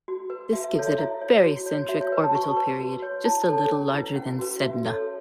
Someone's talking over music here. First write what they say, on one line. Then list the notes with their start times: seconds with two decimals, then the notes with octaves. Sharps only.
This gives it a barycentric orbital period just a little larger than Sedna.
0.08 F#4
0.30 B4
0.53 F#4 E5
0.64 E5
0.75 A4 C#5
0.87 E5
0.98 E4 E5
1.21 C#5
1.44 F#4
1.66 C#5
1.89 F#4 E5
2.01 C#5
2.12 B4
2.24 A5
2.35 F#4 C#6
2.57 B4
2.80 F#4
3.02 C#5
3.25 E4 A5
3.49 A4 C#5
3.71 C#4
3.94 E4 B4
4.16 C#4 F#5
4.39 F#4 B4
4.61 F#4 E5
4.85 A4 C#5